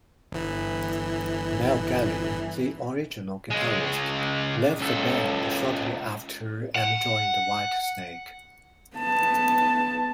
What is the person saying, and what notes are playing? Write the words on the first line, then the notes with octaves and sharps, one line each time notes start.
Mel Galley, the original guitarist, left the band shortly after and joined Whitesnake.
G1 E3
C#3 G#3
C#2 A4
F#5
B3 A5